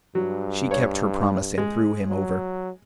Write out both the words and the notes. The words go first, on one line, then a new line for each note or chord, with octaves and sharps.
She kept her promise and threw him over.
G2 F#3
C#5
G#3
F#3